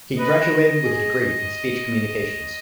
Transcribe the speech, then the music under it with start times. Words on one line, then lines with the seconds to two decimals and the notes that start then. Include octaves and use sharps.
He graduated with a degree in speech communications.
0.19 B4 D#5
0.84 G#4